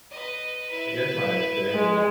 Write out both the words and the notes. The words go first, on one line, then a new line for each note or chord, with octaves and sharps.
a I guess my family
B4 D#5
E4 B4
G#3